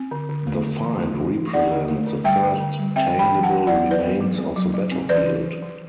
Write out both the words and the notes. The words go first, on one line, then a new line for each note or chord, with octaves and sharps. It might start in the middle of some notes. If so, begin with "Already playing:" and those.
The find represents the first tangible remains of the battlefield.
Already playing: C4
D3
D3
A3
D3
E3
A3
E3
E3
D4 D5 F#5
D3
A3
D3
G3 E5 G5
D3
D3
G3
C4 E5 G5
E3
G5 B5
E3
F#5 A5
E3
F#3 D5 F#5
F#3
B4 D5
B3
F#3
C4
F#3
F#3
C4
E3 B4 D5
E3
E3
E3